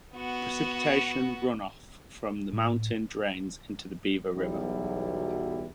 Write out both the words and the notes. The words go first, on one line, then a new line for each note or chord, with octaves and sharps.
Precipitation runoff from the mountain drains into the Beaver River.
B3 F#4
A2
B1 E2 F#3 G3 E4